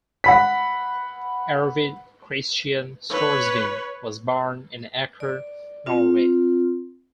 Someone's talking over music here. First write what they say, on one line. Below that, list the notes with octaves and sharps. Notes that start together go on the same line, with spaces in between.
Arvid Kristian Storsveen was born in Aker, Norway.
F#5 B5 B6
B4 C#5
D5
C4 F4